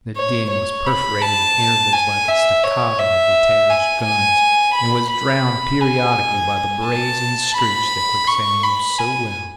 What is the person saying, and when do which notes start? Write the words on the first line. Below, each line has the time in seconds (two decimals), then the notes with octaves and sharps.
The din was perforated at intervals by the /staccato/ of the Terror's guns, and was drowned periodically by the brazen screech that Quicksand knew so well.
0.16 C#5
0.51 C#5
0.87 B5
1.22 A5
1.92 G#5
2.28 E5
2.63 C#5
2.99 E5
3.69 G#5
4.04 G#5
4.74 B5
5.11 B5
5.81 G#5
6.86 A5
7.57 B5
8.27 C#6
8.63 B5
8.98 G#5